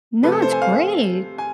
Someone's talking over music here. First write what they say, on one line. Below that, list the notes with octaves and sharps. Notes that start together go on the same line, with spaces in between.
No, it's great.
C3 F3 A3 B4
A4
C5
G#5
F5
G#5